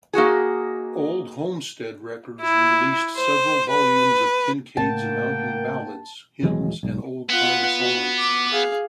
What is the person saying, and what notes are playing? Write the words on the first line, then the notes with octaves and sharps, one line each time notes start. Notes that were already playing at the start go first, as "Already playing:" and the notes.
Old Homestead Records released several volumes of Kincaid's mountain ballads, hymns, and old-time songs.
A#3 D#4 F#4 G#4
E4
C5
B4
A2 C#3 A#3 A#4 F#5 G5 A5
D#1 E3 F#3 G#3
B1 G#2
B3 F4 F#5
F#4
D6
G#4 F5